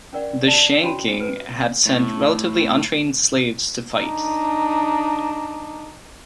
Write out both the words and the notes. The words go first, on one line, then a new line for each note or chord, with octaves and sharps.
The Shang King had sent relatively untrained slaves to fight.
C#4 G#4 A#4 D5 F#5
D5 A5
C#4 F#4 C#5 B5 C6
B4
A2
D4 D#4